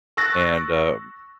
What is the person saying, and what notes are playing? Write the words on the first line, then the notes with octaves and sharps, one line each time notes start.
and, uh,
C#6 E6 F#6 A6 A#6